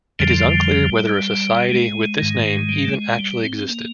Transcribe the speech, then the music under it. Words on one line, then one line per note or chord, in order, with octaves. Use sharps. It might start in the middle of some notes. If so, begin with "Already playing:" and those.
It is unclear whether a society with this name even actually existed.
F2 D3 F3 G3
G#3
G#2 D#3
G3
A3
G#3
G3
C4
A#3